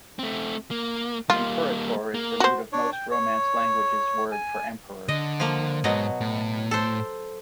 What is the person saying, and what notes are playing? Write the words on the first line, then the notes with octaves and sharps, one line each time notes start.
"Imperator" is the root of most Romance languages' word for emperor.
A3 C4
A#3
G3 A#3 F4
A#3
F#4 C5
D4 C#5
G5
C#5
G#5
D3 D#5
F3 A#3
G#2 B2 F#3 D#5
A2
A4 C5